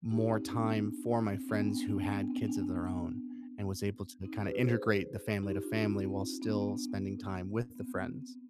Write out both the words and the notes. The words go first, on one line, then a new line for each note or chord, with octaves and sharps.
more time for my friends who had kids of their own and was able to kinda integrate the family to family while still spending time with the friends.
D#4 G4
C4 D#4
B3 D4
C4
B3 D4
C4
D4
C4
B3
C4
B3 D4
C4
B3 D4
C4 D#4
G4 B4
G#4 C5
D#4 G4
D4 F4
C4 D#4
C4
B3 D4
B3
B3
C4